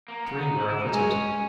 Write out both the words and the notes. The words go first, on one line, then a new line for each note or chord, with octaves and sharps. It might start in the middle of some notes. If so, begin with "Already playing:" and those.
Three were acquitted.
A#3
B3
D#4
E4
E4
D#4
G#3 C#4
C#4